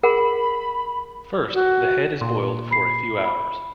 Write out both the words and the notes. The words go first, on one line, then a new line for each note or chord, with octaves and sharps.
First, the head is boiled for a few hours.
G#4 A#4 F#5 B5
F#4
A#2 C6
B5 C7
B5